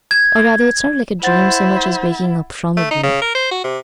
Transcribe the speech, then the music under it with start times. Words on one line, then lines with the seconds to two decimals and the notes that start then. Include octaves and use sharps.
Or rather it's not like a dream so much as waking up from a dream.
0.11 G#6
1.23 E4 C5 F#5 A6
2.77 A3
2.91 D#4
3.03 C#3
3.22 A#4
3.35 C5
3.51 F#4
3.64 C3